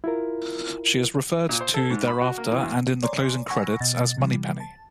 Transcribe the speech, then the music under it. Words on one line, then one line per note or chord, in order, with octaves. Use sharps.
She is referred to thereafter, and in the closing credits, as Moneypenny.
E4 F4 A#4
A#2
C5
A4
G#2
B5
F#4
A#3
E3
E2
C#5 D5 G#5 A#5 C6
F#5 G#5 B5 C#6 E6 A#6
B2 D#5 A6
C3 E3 G3
A5